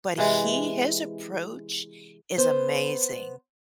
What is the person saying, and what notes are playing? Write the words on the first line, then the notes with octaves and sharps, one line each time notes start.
But he his approach, is amazing.
C3 E3 G#3
B3 C5